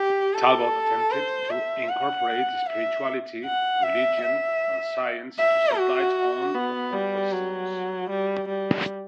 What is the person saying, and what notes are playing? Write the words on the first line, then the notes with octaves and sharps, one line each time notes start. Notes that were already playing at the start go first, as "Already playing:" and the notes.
Talbot attempted to incorporate spirituality, religion and science to shed light on profound questions.
Already playing: G4
A4
C5
E5
F#5
E5
F#5
E5
E5
E5
F#4
B3
G3
F#3
G3
G3